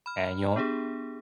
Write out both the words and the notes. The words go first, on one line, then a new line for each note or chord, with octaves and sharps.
and you won't
B5 F6
B3 D4 G4 G#4